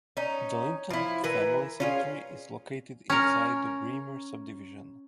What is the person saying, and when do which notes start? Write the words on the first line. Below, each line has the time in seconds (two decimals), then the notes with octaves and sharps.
The Linton family cemetery is located inside the Braemar subdivision.
0.17 C#4 D#4
0.90 F3 E4
1.24 E3 A#4 B4
1.80 C#4 F4 G#4
3.10 C#4 A#4